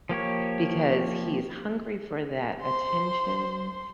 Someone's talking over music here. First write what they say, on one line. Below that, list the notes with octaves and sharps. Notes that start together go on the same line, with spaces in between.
because he is hungry for that attention
F3 A#3 G4 C#5
C5 C6